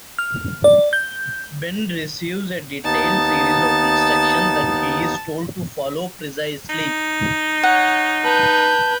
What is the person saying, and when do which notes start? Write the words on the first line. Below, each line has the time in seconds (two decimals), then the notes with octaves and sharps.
Ben receives a detailed series of instructions that he is told to follow precisely.
0.19 F6
0.64 D5
0.93 G6
2.84 D#2 B3 D#4 A5
6.69 D#4
7.63 C#5 F#5
8.24 B4 A5 G6